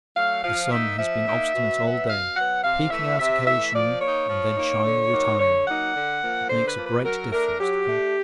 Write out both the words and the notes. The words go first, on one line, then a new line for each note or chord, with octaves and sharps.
The sun has been obstinate all day, peeping out occasionally and then shyly retiring; it makes a great difference to comfort.
F#3 A3 F5
F3 F5
A#3 D#4 E5
F3 E5
A#3 D#4
B2
F#3 B3
B2 F5
F#3 B3 F#5
C3 F5
E3 A3 E5
C3 E5
E3 A3 E5
F3 D5
A#3 D#4 C#5
F3
A#3 D#4
D3
F#3 A#3 D#4
D3 C#5
F#3 A#3 D#4 F#5
D3
F3 A#3
D3 C5
B4
F3 A#3
B4
F#3 A#4
A3 D4 A#4
F#3 G4
A3 D4